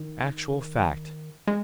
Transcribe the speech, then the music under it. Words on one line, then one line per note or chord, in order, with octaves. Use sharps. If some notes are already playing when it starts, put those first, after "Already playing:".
"Actual fact!"
Already playing: D#3
G#3